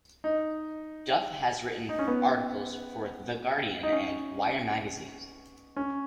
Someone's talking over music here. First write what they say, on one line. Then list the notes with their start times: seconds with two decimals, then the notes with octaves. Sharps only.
Duff has written articles for "The Guardian" and "Wire Magazine".
0.24 D#4
1.89 D#4
1.99 C#4
2.08 B3
3.83 D#4
3.92 C#4
5.76 C#4